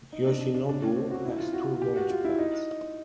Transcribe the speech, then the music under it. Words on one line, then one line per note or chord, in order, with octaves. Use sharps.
Yoshinobu has two launch pads.
D#4
D4
D4
D4
D4
C#4
C4
F#4
E4
F4
F#4
G4
F#4
F4
E4
D#4